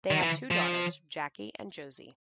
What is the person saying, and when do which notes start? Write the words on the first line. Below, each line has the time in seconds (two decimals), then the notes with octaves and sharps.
They have two daughters, Jackie and Josie.
0.11 D#3
0.22 E3
0.51 F3